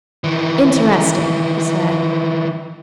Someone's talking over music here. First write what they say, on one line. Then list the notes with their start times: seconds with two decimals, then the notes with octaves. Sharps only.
"Interesting," he said.
0.24 D#3 E3